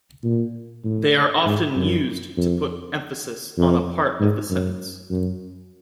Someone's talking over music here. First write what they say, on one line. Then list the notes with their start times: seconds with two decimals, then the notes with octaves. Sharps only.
They are often used to put emphasis on a part of the sentence.
0.24 A#2
0.84 A2
1.46 G#2
1.76 F#2
2.37 F2
3.58 F2
4.20 G#2
4.50 F#2
5.11 F#2